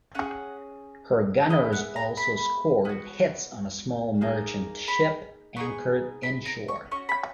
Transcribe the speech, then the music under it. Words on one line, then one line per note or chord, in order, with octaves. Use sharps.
Her gunners also scored hits on a small merchant ship anchored inshore.
C#4 G#4 F#5
B3 E4 G#4 D#5
F#5
A#5
B5
B3 F#4
A#3 D#4 G#4
B5
B3 D#4 G#4 C#6
B5
A#5
C#6
C#4 F#4 C#6
B5